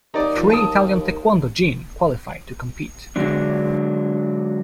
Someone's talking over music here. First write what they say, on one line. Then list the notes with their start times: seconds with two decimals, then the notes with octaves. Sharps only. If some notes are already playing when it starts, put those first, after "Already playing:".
Three Italian taekwondo jin qualified to compete.
0.14 D#2 D#4 D5
0.37 F3
0.50 A5 D#6
3.16 D3 F#3 G#3 D4